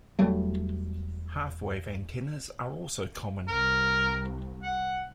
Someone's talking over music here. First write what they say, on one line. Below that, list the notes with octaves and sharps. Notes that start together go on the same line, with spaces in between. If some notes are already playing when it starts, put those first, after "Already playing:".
Half-wave antennas are also common.
E1 F#3 G3 A3
C2 A#4
F#5